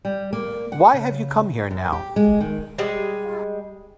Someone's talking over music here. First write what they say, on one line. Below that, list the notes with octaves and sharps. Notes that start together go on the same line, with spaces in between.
Why have you come here now?
G3
A#3
F#5
C#3
F#2
G4
G#3
D#3
G3 G#3 G#5